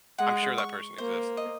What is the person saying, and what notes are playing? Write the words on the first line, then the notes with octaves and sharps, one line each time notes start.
I'm sure that person exists,
G#3 F#5
C#6
A#3 C5
D#5